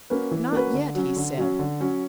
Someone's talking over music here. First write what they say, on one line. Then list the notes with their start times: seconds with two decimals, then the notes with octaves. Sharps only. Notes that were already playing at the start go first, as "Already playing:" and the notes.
"Not yet," he said.
0.10 A#3 C#4 F#4 B4
0.31 E3
0.52 A#3 C#4 F#4 B4
0.74 D3
0.95 F#3 C#4
1.16 D3
1.38 F#3 C#4
1.59 D3
1.80 F#3 C#4